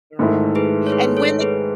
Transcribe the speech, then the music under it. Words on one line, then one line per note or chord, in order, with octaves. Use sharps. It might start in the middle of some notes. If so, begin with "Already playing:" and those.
There are, and when they
G#2 D#3 A3 E4
G#4 B4
C#5
G#4 B4
A4 C#5
G#4 B4